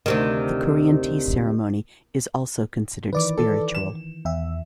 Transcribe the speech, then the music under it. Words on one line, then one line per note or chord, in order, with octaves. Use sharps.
The Korean tea ceremony is also considered spiritual.
D2 C3 D#3
D#3 E3 B4 D5 D6
A4
E7
E2 E5